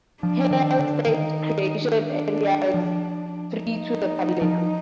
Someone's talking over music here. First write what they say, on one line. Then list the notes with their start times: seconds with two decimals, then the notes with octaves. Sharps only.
Heiau State Recreation Area is free to the public.
0.23 F3 D4
0.51 D#3
0.79 D3
1.07 D#3 D#4
1.91 D4
2.74 F3
3.58 D#4
4.42 F3